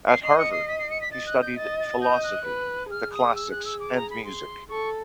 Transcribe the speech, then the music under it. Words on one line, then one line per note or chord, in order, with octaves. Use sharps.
At Harvard, he studied philosophy, the classics, and music.
C7
D#5 C7
C#7
C7
B6
C7
C#7
B6
D#5 A6
F#6
G6
D#5 A6
A6
D#5 G6
F#6
B4
G#4 F6
D#6
E6
F#6
E6
D6
A#5
B5
C6
A4 C#6